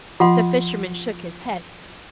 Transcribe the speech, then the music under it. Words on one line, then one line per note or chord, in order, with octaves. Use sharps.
The fisherman shook his head.
F3 F4 F#5 C6